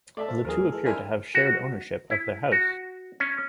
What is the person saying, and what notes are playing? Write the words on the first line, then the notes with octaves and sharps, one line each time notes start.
The two appear to have shared ownership of their house.
A3 D5 E5 A5
C4 F4 A4
D#2 F3 A#3 G#4 A#4
A2
E3 G#3 A4
C#4 D4 E4 A#4 C5 G#5
F#4
E4
F#4
C#4